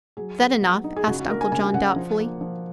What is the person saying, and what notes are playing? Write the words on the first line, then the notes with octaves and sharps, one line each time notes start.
"Is that enough?" asked Uncle John, doubtfully.
F#3 G#4
B3
F#3
D#4
G#4
C#3 F#4
F#4
A#3 A#4
G#5
C#3 G#5
C#3 F#5
F3
A#3
F3